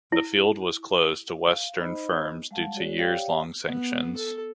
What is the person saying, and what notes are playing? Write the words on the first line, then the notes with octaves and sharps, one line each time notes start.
The field was closed to Western firms due to years-long sanctions.
E4
F5
D#4 C5 D#5 B5
G3 G#3 F5 F#5 A5
G#3 F#4 G#4 C#5 D5
G4 C#5 D5 F5 G5
B3
A4